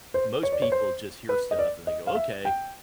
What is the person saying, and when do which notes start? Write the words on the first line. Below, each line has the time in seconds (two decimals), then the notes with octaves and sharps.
Most people just hear stuff, and they go, "Okay,"
0.14 C5
0.43 C#5
0.52 D5
0.62 C#5
0.72 C5
1.29 B4
1.51 D#5
1.59 D5
1.87 D#5
2.07 F5
2.15 E5
2.45 G5